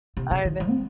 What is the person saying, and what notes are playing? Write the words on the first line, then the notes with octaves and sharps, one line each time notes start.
I know.
C3
C#3
D#3
F3
C4